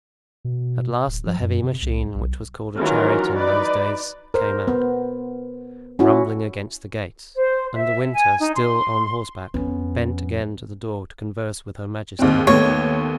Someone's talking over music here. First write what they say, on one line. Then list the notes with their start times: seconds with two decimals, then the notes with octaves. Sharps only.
At last the heavy machine, which was called a chariot in those days, came out, rumbling against the gates, and De Winter, still on horseback, bent again to the door to converse with her majesty.
0.45 B2
1.08 D1
1.26 F3
1.41 F#2
1.63 C3
1.82 C2
2.14 B1
2.77 D#3 E3 F#3 C#4 F4 A#4
3.35 D#4 B4 D5
4.34 A#4 C5
4.68 B3
5.99 C#4 E4 F#4
7.36 C5
7.76 E5
8.13 G#5
8.39 D#4
8.55 C6
9.54 F2 B3 C#4
12.19 D#2 G#2 C4
12.47 D#2 A3 B3 C#5